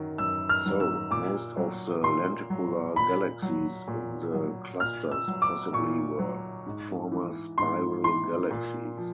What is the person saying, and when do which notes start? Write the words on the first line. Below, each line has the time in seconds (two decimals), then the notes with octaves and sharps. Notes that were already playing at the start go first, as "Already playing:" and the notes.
So, most of the lenticular galaxies in the clusters possibly were former spiral galaxies.
Already playing: F#2 D#3 F#3
0.18 F#2 E6
0.49 F6
0.65 D#3 F#3
0.80 E6
1.11 A#2 D6
1.57 F#3
2.03 A#2 C6
2.50 F#3
2.96 A#2 B5
3.42 F#3
3.88 A#2
4.34 F#3
4.80 A#2 F6
5.11 E6
5.28 F#3
5.42 D6
5.73 A#2 C#6
6.19 F#3
6.66 G#2
7.12 E3
7.58 G#2 C6
8.04 E3 C6
8.51 A#2
8.97 F3